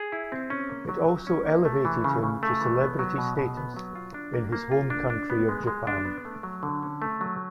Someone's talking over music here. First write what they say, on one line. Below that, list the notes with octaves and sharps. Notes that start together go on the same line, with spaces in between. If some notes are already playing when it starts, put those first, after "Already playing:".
It also elevated him to celebrity status in his home country of Japan.
Already playing: G#4
E4
C4
C#4
A#3
F#3
F#3
C#4
A#3
A3
E3
C#3
C#3
A3
E3
B3
F#3
B2
B2
B3
F#3
F4
D4
A#3
A#3
F4
D4
D4
B3
G#3
G#3
D4
B3
A3
F#3
D3
C#4
A3
F#3